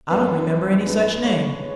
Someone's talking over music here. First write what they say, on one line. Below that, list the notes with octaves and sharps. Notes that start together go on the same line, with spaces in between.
'I don't remember any such name!'
F#2 F3 B3 B4
G#2 F3 G#3 B4
C#5